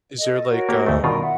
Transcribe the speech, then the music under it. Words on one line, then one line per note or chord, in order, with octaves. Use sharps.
is there like, um,
A4 D#5
F#4 A#4 C#5
A#3 G4
D2 A3
B2 D#3 F4 A#4 D5 C6
E5 F#5